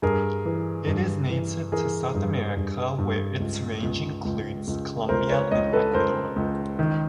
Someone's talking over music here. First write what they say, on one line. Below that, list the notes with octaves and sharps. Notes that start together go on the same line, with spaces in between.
It is native to South America where its range includes Colombia and Ecuador.
G2 G#4 A#4
E3
G2
E3
E3 G#4 A#4
G2
G2
G2
C#2
C#2
C#2
C#2
C#2 A#4 C5
B4 C#5
C#2 C#5 D#5
A4 B4
C#2 A#4 C5
C#2
D#3